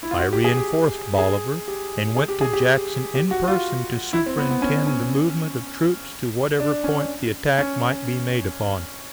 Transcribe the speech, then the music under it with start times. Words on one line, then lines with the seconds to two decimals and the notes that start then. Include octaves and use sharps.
I reinforced Bolivar, and went to Jackson in person to superintend the movement of troops to whatever point the attack might be made upon.
0.03 E4
0.11 F4
0.19 F#4
0.33 G4
0.44 G#4
0.57 G4
1.18 G#4
1.68 G4
2.17 G#4
2.28 G4
2.41 G#4
2.53 G4
3.15 G4
3.31 F#4
3.48 F4
4.13 E4
4.26 C4
4.38 B3
4.50 B3
4.62 C#4
4.87 C#4
6.60 D4
6.84 C#4
7.58 C#4